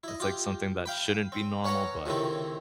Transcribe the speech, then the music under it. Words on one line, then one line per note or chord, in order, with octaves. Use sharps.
it's like something that shouldn't be normal, but,
E4 D#5
F4 G4
F5 G5 B5
C4
C#4 B4 C#5 F#5 A#5
C#2 A2 C3 D#3 C4 E4